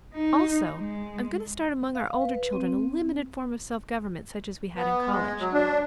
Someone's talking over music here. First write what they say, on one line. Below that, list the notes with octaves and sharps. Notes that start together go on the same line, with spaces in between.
Also I am going to start among our older children a limited form of self-government such as we had in college.
D#4
G#3
F5
B4
C4
B3
G#3
F#3
D4